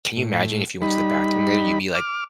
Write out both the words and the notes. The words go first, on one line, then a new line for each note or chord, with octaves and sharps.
can you imagine if you went to the bathroom there, you'd be, like,
A2
G3 D#4 B5
D6 F6